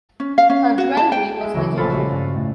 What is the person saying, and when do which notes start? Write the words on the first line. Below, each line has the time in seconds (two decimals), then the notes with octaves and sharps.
Her jewelry was legendary.
0.20 C#4
0.38 F5
0.50 C#4
0.78 F#4
0.97 A5
1.12 G5
1.41 G#3 E5
1.54 C#3 E3 F#3 C#4
1.77 A#1 F4 A4 A5 B5
1.90 G#3 A3 F#4
2.10 G2
2.35 A2